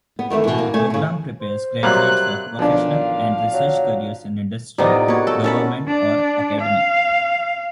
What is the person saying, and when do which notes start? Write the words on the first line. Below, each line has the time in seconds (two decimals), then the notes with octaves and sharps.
The program prepares graduates for professional and research careers in industry, government or academe.
0.19 B3
0.30 D#3 E3 G3 A3
0.44 B2 E3
0.58 A#3
0.74 A3 G#5
0.90 A2 C#3
1.41 C5
1.83 C3 F#3 G3 A#3 F#6
2.59 B1 A#2 F3 D4 F5
3.53 F#3
4.78 A2 C3 B3 D#4 F4 D5 D#5
5.08 A#3 B3 F#4 C#5
5.27 A3 A4
5.44 C#4 E4 A#4 A5 B5
5.88 D4
6.61 F5